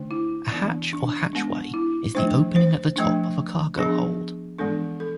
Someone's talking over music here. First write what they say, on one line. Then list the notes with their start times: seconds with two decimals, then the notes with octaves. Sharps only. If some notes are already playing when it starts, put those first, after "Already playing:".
A hatch or hatchway is the opening at the top of a cargo hold.
Already playing: D3 A3 D4
0.11 E4
0.52 E3 B3 D4
0.93 D4
1.33 G#3 B3 D4
1.74 E4
2.15 F3 A3 D4 C5
2.56 C5
2.96 F3 A3 D4
3.77 F3 B3 D4 G#4
4.58 E3 G#3 B3 D4 A4
5.00 A4